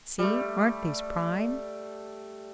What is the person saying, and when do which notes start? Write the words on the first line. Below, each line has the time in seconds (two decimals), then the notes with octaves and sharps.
"See--aren't these prime!"
0.19 G3 A3